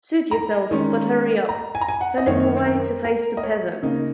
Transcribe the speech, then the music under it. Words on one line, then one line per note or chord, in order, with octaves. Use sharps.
Suit yourself, but hurry up. - Turning away to face the peasants.
A#5
D#3 G#3 C#4
A#5
G#5
A#5
G#5
F#5
D#5
F#2 D#3 A#3 C#4 C#5
A#4
A#4
D#5
C#5
C#3 A#3 D#4